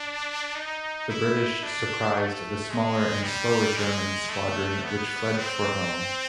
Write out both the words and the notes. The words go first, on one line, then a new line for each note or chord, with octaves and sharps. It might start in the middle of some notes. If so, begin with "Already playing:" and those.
The British surprised the smaller and slower German squadron, which fled for home.
Already playing: D4
D#4
E4
D4
A3
G#3
G3
G#3
A3
B3
C4